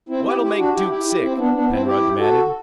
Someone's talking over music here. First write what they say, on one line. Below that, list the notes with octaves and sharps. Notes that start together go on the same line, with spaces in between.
"What'll make Duke sick?" Penrod demanded.
C4 E4
E4 G4
E4 G4
D4 F#4
E4 G4
E4 G4
E4 G4
C4 E4
B3 D4
B3 D4
C4 E4
E4 G4
F#4 A4